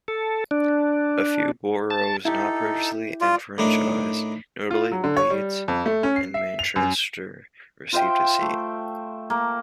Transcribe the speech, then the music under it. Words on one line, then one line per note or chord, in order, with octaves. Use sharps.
A few boroughs not previously enfranchised, notably Leeds and Manchester, received a seat.
A4
D4
A5
D#4 E4 G4 A4
F4 D5
A2 D#3 D4
F4
F#3
D3
C#5
G3
F2
A3
C#4
C7
E5
F7
F#2
F4 C5 E5 G5
A3
A#3